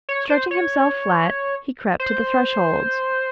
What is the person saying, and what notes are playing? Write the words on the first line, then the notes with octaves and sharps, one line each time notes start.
Stretching himself flat he crept to the threshold.
C#5
C5
C#5
C5